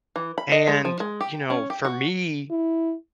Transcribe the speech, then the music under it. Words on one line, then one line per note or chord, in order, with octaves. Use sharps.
and, you know, for me,
E3
B5
D#5
G#3
F3
G#3
G4
C#4
G4
F#4
E4